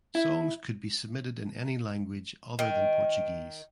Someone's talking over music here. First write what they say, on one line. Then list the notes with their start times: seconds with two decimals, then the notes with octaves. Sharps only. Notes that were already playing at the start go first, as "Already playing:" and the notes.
Songs could be submitted in any language other than Portuguese.
0.15 E4
2.59 D#3